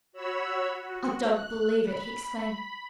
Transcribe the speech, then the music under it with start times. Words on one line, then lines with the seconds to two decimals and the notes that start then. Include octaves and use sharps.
'I don't believe it,' he exclaimed.
0.12 F#4 C#5 B5 E6
0.78 F#4
1.26 F#6
1.82 B5